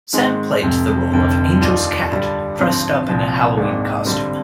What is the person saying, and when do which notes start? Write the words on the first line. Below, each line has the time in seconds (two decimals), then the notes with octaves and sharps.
Sam played the role of Angel's cat, dressed up in a Halloween costume.
0.13 G#2 D#3 G#3 C4
0.62 F1 F2 C3
1.11 F1 F2 D3
1.60 D#2 D#3 G3 D4 F4
2.10 G2 D3 G3
2.59 G#1 G2 D3 F3 C4
3.08 C2 A#2 F3 C4
3.56 G#1 G#2 D#3 A#3 D4
4.05 G2 D3 G3 C4